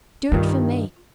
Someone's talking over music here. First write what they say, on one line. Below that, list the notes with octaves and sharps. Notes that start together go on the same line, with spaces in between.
Do it for me....
G2 D#3 F4